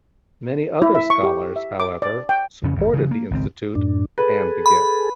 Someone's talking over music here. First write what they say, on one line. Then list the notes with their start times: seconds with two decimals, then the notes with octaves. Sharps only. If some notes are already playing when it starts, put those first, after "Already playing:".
Many other scholars, however, supported the institute and the gift.
0.82 E4
0.95 E5
1.10 C#6
1.23 G4
1.56 E5
1.80 D6
2.02 D5
2.29 G5
2.63 F2 C#3 C#4
2.76 G#1 F#2
2.94 C#3 E3
3.11 A#3
3.31 G#1 C#2 C4
3.75 F#2 A2 D4
4.18 G#4 A4 B4
4.66 B5